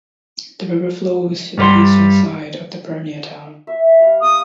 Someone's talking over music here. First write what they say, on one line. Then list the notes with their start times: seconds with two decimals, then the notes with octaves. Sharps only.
The river flows to the eastern side of the Purnia town.
1.57 G2 G3 B4 C6
3.67 E5
4.00 G3 F5
4.21 C4 D#6